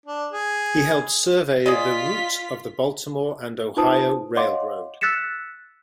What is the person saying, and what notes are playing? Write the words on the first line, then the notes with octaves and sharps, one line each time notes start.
He helped survey the route of the Baltimore and Ohio Railroad.
D4
G#4
F4 G#4 D5 D#5 B6
D#4 F4 B4 C5 A5 D#6
C#5 D#5 F5 F#5 C6 D6
E6 F#6 A6 B6 C#7 E7